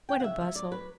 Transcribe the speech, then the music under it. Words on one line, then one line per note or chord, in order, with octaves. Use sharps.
What a bustle!
G5
C#3 F#5
E5
F#3 E5
D5
F#3
B4